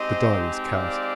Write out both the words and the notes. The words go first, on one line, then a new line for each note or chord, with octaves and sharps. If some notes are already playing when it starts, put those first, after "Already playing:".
The die is cast.
Already playing: G#3 C4 D#4 G4 C5 D#5
D5 F5